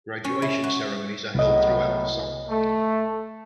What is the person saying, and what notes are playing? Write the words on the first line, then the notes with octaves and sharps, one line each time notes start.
Graduation ceremonies are held throughout the summer.
C#4
E4
F#4
C2 A2 F#3 B3 D#5
A3